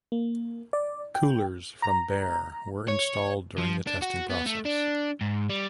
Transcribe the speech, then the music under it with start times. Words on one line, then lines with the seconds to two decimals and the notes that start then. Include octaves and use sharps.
Coolers from Behr were installed during the testing process.
0.12 A#3
0.73 D5
1.15 G5
1.82 A#5
2.88 C#5
3.58 F3
3.87 D4
4.02 F#4
4.30 B3
4.46 A3
4.65 D4
5.21 G#2
5.50 G3